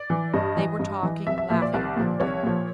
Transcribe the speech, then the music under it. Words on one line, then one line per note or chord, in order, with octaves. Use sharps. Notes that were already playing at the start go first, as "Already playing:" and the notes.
They were talking, laughing around him.
Already playing: D5
E3
G2 D#5
E3
G2
E3
C2 E5
E5
A#2 F3 E5
D5
C2
A#2 F3
C2 C#5
A#2 F3